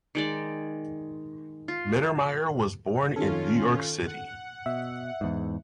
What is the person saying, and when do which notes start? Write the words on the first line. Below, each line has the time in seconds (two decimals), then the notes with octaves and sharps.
Mittermeier was born in New York City.
0.15 D#3 G#3 D5
1.68 F4
3.16 D#3 C#4 F4 A4
4.07 F#5
4.66 B2 E5
5.21 E2 G#2